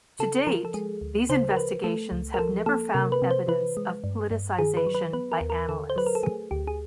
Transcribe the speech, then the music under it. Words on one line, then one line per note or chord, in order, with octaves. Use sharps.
To date, these investigations have never found evidence of politicization by analysts.
C#3 A4
F3 A#4
A4
G#3 G#4
D2
C#3 C5
A#4
F3 B4
A3 A4
C#2
A#4
F3 A4
A#3 A4
C3 A#4
B4
C3
C5
E3 B4
G#3
G2
G2
D#3 G#4
B4
F#3
B4
B3 B4
A#4
D#2
A#4
D3 A4
C5
F#3 B4
A#4
A4
A3 G#4
D2 G4
G#4